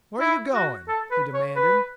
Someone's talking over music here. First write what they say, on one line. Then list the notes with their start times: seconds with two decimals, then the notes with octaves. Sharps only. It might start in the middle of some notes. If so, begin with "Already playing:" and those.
"Where're you going?" he demanded.
0.20 E4
0.54 F#4
0.88 A4
1.11 B4
1.34 C#5
1.56 B4